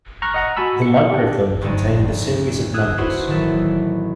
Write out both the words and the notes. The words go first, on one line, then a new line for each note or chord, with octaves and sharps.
The microfilm contained a series of numbers.
A#5 C#6 F6 F#6
D#5 F#5 A#5
F#4 G#5 A5 B5 E6
C#7
D4 G4
D2 G2 F3 D#4 A4
D#6 E6 F#6 G#6
B3 D4 E4 F#4 B4 C5
A1 D#3 F#3 A4 E5